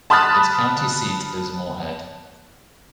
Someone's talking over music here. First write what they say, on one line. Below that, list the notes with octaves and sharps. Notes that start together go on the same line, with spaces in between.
Its county seat is Moorhead.
A5 B5 D#6 F6 F#6 A6